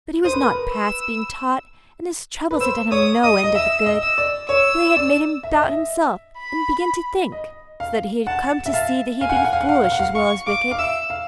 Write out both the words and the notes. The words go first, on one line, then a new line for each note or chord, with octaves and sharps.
But he was not past being taught, and his troubles had done him no end of good, for they had made him doubt himself, and begin to think, so that he had come to see that he had been foolish as well as wicked.
C5 D#6
B4
A#4
B4
E6
B4
C5 E6
C#5 D#6
D#5 D#6
D#5
E5 E6
D#5
E6
D5
C#5 E6
D5
E5
D#5
E5
B5
D#5
F5
F#5 A5
E5
F5 A5
F5 G#5
F#5
F5
F#5
F5
F#5
F5
F#5
F5
F#5
F5
F5 C#6
F5 D6
F5
E5 E6
F5